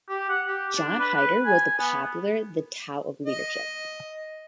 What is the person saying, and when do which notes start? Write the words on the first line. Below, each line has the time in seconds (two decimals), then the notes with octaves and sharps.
John Heider wrote the popular The Tao of Leadership.
0.08 G4
0.29 F#5
0.47 G4
0.76 D4
0.99 B4
1.15 B4
1.45 G#5
1.78 B3
3.26 D#5